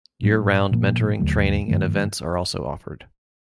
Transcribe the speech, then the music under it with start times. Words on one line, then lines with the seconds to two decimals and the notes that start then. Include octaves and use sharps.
Year-round mentoring, training and events are also offered.
0.23 A2 F#3 B3 D4
0.71 A#2 F3 A#3
1.19 D#2 D3 F#3 A3
1.68 G2 D#3 F#3 A3